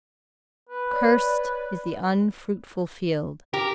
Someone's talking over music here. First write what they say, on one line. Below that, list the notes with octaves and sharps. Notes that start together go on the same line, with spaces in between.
"Cursed is the unfruitful field!"
B4
C#5 D5
G4 A#4